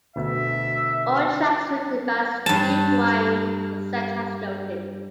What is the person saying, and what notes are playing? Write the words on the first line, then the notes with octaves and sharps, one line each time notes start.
All tracks written by Steve Wynn except as noted.
D2 B2 E5
G2 A5